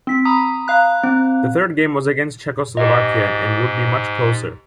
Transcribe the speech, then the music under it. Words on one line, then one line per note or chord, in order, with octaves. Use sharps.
The third game was against Czechoslovakia and would be much closer.
C4 B6
A#5 B5 D#6
F5 A#5 F#6
C4
G#2 G4 D#5